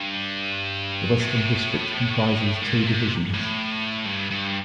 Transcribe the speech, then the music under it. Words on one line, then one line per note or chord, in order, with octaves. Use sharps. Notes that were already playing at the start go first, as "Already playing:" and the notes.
The Western District comprises two divisions.
Already playing: G2
A2
A#2
C3
A2
G2
G2